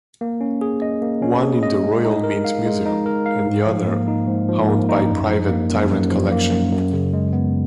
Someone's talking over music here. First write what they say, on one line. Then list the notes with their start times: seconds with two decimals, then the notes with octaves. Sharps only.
One in the Royal Mint Museum and the other owned by private Tyrant Collection.
0.21 A#3
0.41 C#4
0.61 G#4
0.82 D#5
1.02 A#3
1.22 C#4
1.42 G#4
1.63 D#5
1.83 G#3
2.04 D#4
2.24 A#4
2.45 F5
2.66 G#3
2.86 D#4
3.06 A#4
3.26 F5
3.47 G#2
3.66 F3
3.87 A#3
4.08 D#4
4.28 G#2
4.48 F3
4.69 A#3
4.89 D#4
5.10 F#2
5.30 F3
5.50 A#3
5.70 F#2
5.91 F#2
6.11 F3
6.32 A#3
6.52 F#2
6.72 F#2
6.93 C#3
7.13 G#3
7.33 B3